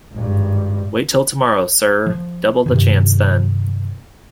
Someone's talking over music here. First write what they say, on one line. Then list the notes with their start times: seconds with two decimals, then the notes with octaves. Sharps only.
Wait till tomorrow, sir; double the chance then.
0.12 G#1 G2
2.06 F3
2.66 G2 C3 D#3